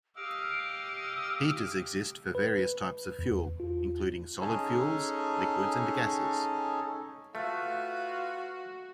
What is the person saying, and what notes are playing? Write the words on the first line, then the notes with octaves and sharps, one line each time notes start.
Heaters exist for various types of fuel, including solid fuels, liquids, and gases.
G4 D#5 F5 E6 D7
B4
E2
F4
C#4 D#4 G#4 A4
A3 F4 F#4 B4 F5